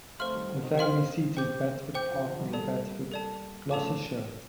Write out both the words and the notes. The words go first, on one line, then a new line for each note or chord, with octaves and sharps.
The family seat is Batsford Park, near Batsford, Gloucestershire.
A3 C4 C5 F5 C6 F6
D#3 G3
D3 F3
C3 D#3
C5 F5 C6 F6
C5 G5 D6 G6
C5 G5 D6 G6
D3 F3
D3 F3
F3
D#3 G3
G3 A#3 A4 D5 A5
A4 D5 A5
F3 A3 A4 D5 A5 D6